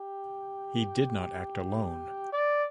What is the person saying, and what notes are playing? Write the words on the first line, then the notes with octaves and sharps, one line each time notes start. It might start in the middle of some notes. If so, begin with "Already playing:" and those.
He did not act alone.
Already playing: G4
D5